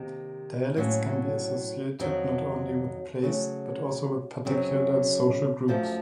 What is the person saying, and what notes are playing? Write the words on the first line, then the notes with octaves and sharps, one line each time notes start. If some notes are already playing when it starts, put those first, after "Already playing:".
Dialects can be associated not only with place, but also with particular social groups.
Already playing: C3 D#3 A#3
A2 F#3 A#3 C#4
F2 D#3 F#3
C#3 F#3 A3
F#2 C#3 F#3 C4
F#2 F3 A3